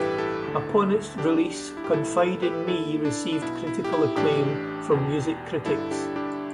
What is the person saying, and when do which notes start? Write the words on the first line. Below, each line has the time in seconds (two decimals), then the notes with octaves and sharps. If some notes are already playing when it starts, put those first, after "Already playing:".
Upon its release, "Confide in Me" received critical acclaim from music critics.
Already playing: A1 G2 E3 E4 G4 A4 B4
0.18 E4 A4
0.44 D2 D3
1.18 B1 B2 D4 G4
1.77 E4
1.84 G4
1.93 B1 A2 E3 E4 A4
2.17 E4 A4
2.42 G4 B4
2.67 E2 D3 E4 A4
3.05 D4
3.32 D4
3.42 B1 B2 E4
3.67 E4
3.84 G4
3.92 E4
4.16 A1 A2 E3 D4 G4
4.91 E2 B2
5.66 G1 G2 D3 E4 A4
5.91 D4 G4
6.16 D4 G4